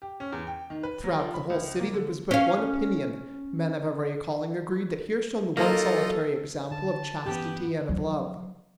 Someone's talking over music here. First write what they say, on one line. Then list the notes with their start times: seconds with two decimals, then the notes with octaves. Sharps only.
Throughout the whole city there was but one opinion, men of every calling agreed that here shone the one solitary example of chastity and of love!
0.02 G4
0.20 C#4
0.33 E2
0.47 G5
0.70 D#3
0.83 B4
1.04 F#3
1.20 F3
1.34 B5
1.50 C#2
1.80 A#3
1.93 D3
2.31 C#4 F5
5.57 F#3 A#3 D#4 F4 A4 D#5
6.71 D3 A5
7.25 G2 E3 B3 C#4 G4
7.89 F3 F#3